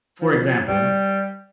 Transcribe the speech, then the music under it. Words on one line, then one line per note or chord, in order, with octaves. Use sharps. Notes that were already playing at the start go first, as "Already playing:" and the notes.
for example,
F3
G3